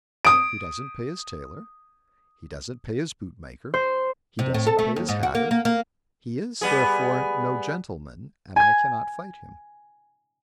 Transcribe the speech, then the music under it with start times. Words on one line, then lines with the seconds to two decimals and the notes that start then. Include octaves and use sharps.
"He doesn't pay his tailor, he doesn't pay his boot-maker, he doesn't pay his hatter--he is, therefore, no gentleman, and I cannot fight him."
0.25 D#6 D7
3.74 C5
4.39 C3
4.54 A2
4.67 A4
4.79 A3
4.96 D#2
5.09 G#2
5.23 F#4
5.35 A#3
5.51 A#3
5.65 A#3
6.61 G3 B3 G#4
8.56 G#5 G#6